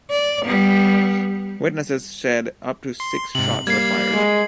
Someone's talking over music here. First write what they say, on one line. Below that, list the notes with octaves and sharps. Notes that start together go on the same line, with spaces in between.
Witnesses said up to six shots were fired.
D5
G3 B3
C6
G#2 C3 F#7
G3 A#3 G#6 C7
G#3